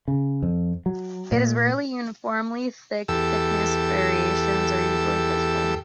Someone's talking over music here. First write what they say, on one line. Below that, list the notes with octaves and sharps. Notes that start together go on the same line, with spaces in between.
It is rarely uniformly thick; thickness variations are usually visible.
C#3
F2
F#3
A#2
E2 G4 A4 E6